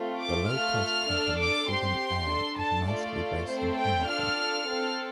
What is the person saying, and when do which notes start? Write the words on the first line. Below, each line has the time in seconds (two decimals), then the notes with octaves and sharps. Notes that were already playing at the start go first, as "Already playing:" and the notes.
The low-cost company Freedom Air is mostly based in Hamilton.
Already playing: A3 C4 F4
0.20 D6
0.50 A3 F4 A4 F6
1.09 D4 A4
1.40 D6
1.69 C4 G4 C6
2.28 D4 A4
2.59 A5
2.88 A3 F4 A4 D5
3.47 A3 C4 A4 C5
3.78 G5
4.07 D4 F4 A4 F6
4.67 C4 A4